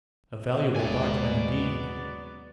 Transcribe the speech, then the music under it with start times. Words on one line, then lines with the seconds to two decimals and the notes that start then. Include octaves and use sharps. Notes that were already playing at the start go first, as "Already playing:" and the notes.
'A valuable document, indeed!'
0.76 D#2 F#3 G#3 B3 D5 G#5